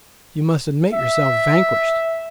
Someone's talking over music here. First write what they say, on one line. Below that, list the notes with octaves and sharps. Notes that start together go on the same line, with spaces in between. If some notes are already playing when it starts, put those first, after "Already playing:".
"You must admit yourself vanquished!"
E5